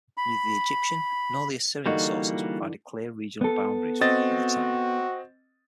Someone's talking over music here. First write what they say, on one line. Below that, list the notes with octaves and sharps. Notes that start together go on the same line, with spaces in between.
Neither the Egyptian nor the Assyrian sources provided clear regional boundaries for the term.
B5
D3 E3 G3 A#3 D#4 F#4
B3 A4
C4 F#4 D#5 A6